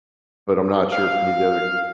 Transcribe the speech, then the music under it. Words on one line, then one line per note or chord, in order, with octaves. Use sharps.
but I'm not sure if any of the other
F5